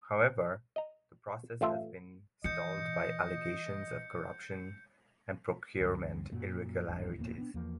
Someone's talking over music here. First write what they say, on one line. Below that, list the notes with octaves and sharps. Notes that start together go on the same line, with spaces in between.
However, the process has been stalled by allegations of corruption and procurement irregularities.
D#5 A#5
A1 A3 F4 E5
E3 D#5 G6 C#7
D2 G2
F#2 A#2 F#3
G#1 E2 G2
E1 E2 A#2 A#3
B3 D4
E2 F3 A#3